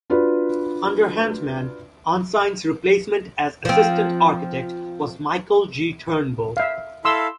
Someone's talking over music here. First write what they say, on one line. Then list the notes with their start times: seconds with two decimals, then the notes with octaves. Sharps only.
Under Hantman, Ensign's replacement as Assistant Architect was Michael G. Turnbull.
0.10 D4 F4 F#4 B4 D5
3.65 F3 C4
6.57 E5 F5
7.05 E4 A4 F5 C6 E6